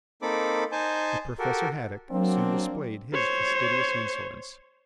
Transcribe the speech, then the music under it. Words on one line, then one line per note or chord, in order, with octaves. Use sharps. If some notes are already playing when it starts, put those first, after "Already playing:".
But Professor Haddock soon displayed his fastidious insolence.
A#3 C4 D#4 A4 B5 D6
D#4 C5 G#5 A5 G6
F#4 G4 A4 A#4
F#3 A#3 C4 D4
C5 C#5